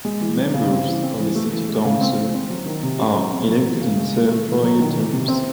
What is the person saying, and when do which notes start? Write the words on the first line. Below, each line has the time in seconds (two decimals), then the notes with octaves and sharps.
Members of the City Council are elected and serve four year terms.
0.05 G#3
0.21 E3
0.37 F#3
0.54 C#3
0.69 C4
0.87 E3
1.03 C4
1.19 E3
1.35 A3
1.52 E3
1.68 G#3
1.85 C#3
2.01 C4
2.17 E3
2.34 C4
2.50 F#3
2.66 D#3
2.83 C3
2.99 C#4
3.16 F#3
3.32 C4
3.49 F#3
3.64 E3
3.81 C#3
3.98 G#3
4.14 E3
4.31 A3
4.47 E3
4.63 F#3
4.80 D#3
4.95 E3
5.13 C3
5.28 C4